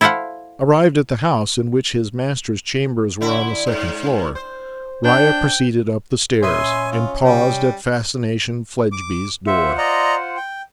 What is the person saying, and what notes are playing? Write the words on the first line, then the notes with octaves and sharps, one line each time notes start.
Arrived at the house in which his master's chambers were on the second floor, Riah proceeded up the stairs, and paused at Fascination Fledgeby's door.
E4 A4 C5 F5 F#5
D3 E4
G#2
C5
D4 G5
A#2 C#4 B4 D#5 E5 G#5 C6
F4
C3 G3 G5
D6
F4 C5 E5 F#5
D5 D#5 A#5
G5